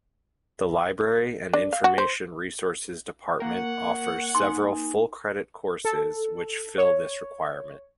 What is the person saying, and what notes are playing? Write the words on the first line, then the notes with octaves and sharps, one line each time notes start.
The Library and Information Resources Department offers several full-credit courses which fill this requirement.
D4
F5
F#4
C5
A#3 A#4 C#5 F#5
D#4 G#5 C6
A4
C#5